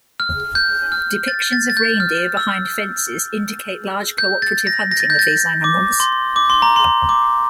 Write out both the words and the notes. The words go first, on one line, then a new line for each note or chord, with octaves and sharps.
Depictions of reindeer behind fences indicate large cooperative hunting of these animals.
F6
G6
F6
A6
A6
A6
G6
F6
E6
G6
A6
A#6
A#6
A6
G6
A6
D6
C6
D6
C6
A#5
C6
D6